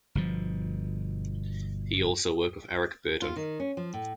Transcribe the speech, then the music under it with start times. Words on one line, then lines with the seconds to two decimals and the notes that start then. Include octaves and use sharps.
He also worked with Eric Burdon.
0.15 G1 B2 F3
3.22 F4
3.36 D#3
3.60 C#4
3.77 F3
3.93 A2